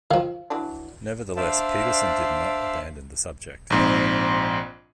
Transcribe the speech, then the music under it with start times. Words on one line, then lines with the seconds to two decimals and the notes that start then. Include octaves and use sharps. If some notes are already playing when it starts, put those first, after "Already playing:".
Nevertheless, Pedersen did not abandon the subject.
0.11 D#3 F3 F5
0.50 E3 F#3 D4
1.37 D4 C5 D5 E5 F5 A5
3.70 A#1 G#2 C4